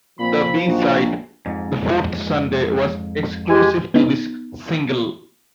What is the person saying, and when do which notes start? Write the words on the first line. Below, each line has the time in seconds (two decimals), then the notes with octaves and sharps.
The B-side, "The Fourth Sunday", was exclusive to this single.
0.19 A#2 F3 C4 B5
0.67 A#1 D#4 F#4
1.46 F2 G#2
3.49 G#3 G4 G#5
3.94 B3 D#4